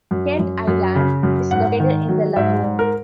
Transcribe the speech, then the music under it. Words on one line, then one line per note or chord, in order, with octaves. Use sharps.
Kent Island is located in the lagoon.
F#2
F#2
F#2
C#3
F#2
G#2 F#5
D#3
F#3
G#2 E5
G#2
A#4